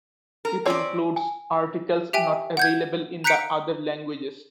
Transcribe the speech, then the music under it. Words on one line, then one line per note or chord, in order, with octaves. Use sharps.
It includes articles not available in the other languages.
A#4
C4 C#4 F4 C#5 D5
G#5
G4 E5 G5 G#5
F#5 G6 G#6
A#5 F#6 G6 B6 C#7 D7